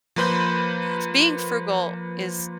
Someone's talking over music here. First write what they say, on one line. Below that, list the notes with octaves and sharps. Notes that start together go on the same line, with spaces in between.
eh, being frugal is
F3 A#3 B4 C5 B5 G6